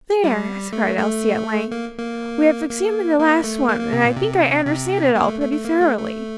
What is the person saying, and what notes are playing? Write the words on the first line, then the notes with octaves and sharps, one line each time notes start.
"There!" cried Elsie, at length, "we have examined the last one, and I think I understand it all pretty thoroughly."
G3
A3
A3
A#3
A#3
A#3
A#3
A3
A#3
A#3
C3
A#2
C3
C3
A#3
A3
A3
A3
A#3
A3
A3